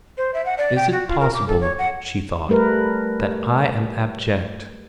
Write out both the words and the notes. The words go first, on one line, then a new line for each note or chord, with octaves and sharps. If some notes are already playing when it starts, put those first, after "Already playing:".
'Is it possible,' she thought, 'that I am abject?'
C5
E5
F#5
D5
G5
F#4
F4
A#4
D6
A4
C#5
F#5
G3 A3 A#4 B4